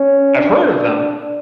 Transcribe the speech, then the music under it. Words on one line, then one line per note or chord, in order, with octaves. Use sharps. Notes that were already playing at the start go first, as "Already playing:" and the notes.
I've heard of them
Already playing: C#4
D4